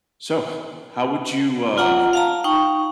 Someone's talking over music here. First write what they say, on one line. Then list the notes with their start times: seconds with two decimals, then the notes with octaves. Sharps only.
So, how would you, uh,
1.78 F4 F#5 A#5
2.13 F5 A5 A#5
2.44 D#4 G5 C#6